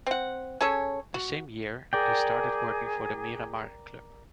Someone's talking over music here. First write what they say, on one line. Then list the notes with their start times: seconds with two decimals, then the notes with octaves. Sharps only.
The same year he started working for the "Miramar" club.
0.06 C4 F#5
0.61 C#4 G#4 A4 C#5
1.14 F#4
1.93 G#4 A#4 D5 G5